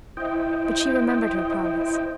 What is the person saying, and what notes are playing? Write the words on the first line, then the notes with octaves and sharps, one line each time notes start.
But she remembered her promise.
E4 C5 D#5 G5